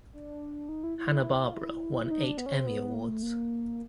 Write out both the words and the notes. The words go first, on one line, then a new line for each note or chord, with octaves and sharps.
Hanna-Barbera won eight Emmy Awards.
D4
D#4
E4
E4
F4
E4
E4
D#4
D4
B3
C#4
C4
B3
A#3
A3
A#3